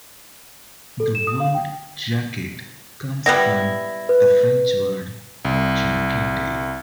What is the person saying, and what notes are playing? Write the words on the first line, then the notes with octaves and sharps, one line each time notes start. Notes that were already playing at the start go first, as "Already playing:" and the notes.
The word "jacket" comes from the French word "jaquette".
A4
E7
D#6
F5
G5
G3 B3 E4 A#6
B4
C2